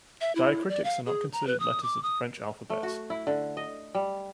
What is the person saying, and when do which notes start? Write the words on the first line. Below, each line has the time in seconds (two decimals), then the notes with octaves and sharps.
Diacritics are not considered letters of the French alphabet.
0.21 E5
0.35 E4
0.69 D5
0.84 F5
1.06 G#4
1.32 A#5
1.47 B4
1.60 D#6
1.83 D6
2.03 D#6
2.70 A3
2.83 F#4
3.10 E4
3.27 D3
3.57 D#5
3.94 G3